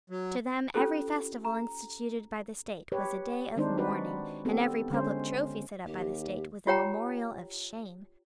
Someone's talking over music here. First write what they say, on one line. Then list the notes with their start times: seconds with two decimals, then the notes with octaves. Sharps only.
To them every festival instituted by the State was a day of mourning, and every public trophy set up by the State was a memorial of shame.
0.10 F#3
0.74 C#4 F4 G4 A4 C5
1.45 A#5
2.92 G4 B4 C#5
3.56 D#3 G#3 C4 D4 D#4 C5
3.78 D4 F#4 B4 D5
4.45 B3 C4 G4 A4
4.90 D3 G#3 C#4 C5
5.86 D#2 G4
6.67 F4 G4 C#5 F#5 G5 A#5